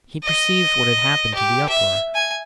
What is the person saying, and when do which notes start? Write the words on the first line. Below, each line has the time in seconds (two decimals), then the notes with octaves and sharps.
He perceived what had happened to the uproar.
0.23 D#5
1.34 G4
1.69 E5
2.15 G#5